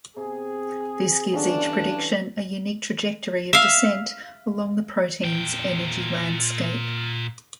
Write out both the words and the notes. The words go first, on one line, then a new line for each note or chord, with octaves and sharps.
This gives each prediction a unique trajectory of descent along the protein's energy landscape.
C3 G#4
G2 D3 E3 C#4 D4 D5
E5 F5
A#2 G5